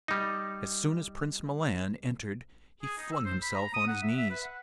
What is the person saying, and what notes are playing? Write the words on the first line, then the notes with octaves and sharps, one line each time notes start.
As soon as Prince Milan entered he flung himself on his knees.
G3 D#4
G#4
D#4
E6
C5
B5
A#5
D#6
F#5
E5
E5
B4
F#5